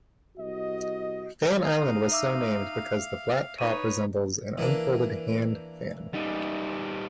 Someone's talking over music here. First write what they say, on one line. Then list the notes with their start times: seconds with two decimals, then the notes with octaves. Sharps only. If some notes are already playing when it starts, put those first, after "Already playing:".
Fan Island was so named because the flat top resembles an unfolded hand fan.
0.38 C2 F#4 D#5
1.62 D#4 F5
2.12 E5 D6 E6
3.59 D#4 B4 C#5 D#7
4.58 E3 A#3 D4
6.14 G3 D#4